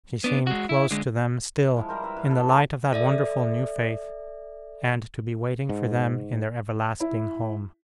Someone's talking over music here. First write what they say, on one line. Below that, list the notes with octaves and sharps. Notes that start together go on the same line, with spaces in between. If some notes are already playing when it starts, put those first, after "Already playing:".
She seemed close to them still in the light of that wonderful new Faith, and to be waiting for them in their everlasting home.
B3 D4
G#3 F#4
E4
D3 G#3
F3 G#3 E4
G3 A#4 C5
B4 E5 A#5
G2 F5
B3 A4
D#5 A5 C#6 D6
A4 D5 E5
G#2
E4